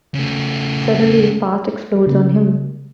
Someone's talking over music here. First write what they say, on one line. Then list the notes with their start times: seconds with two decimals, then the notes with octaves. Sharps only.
Suddenly his past explodes on him.
0.14 C#3 A3
2.07 C#3 A#3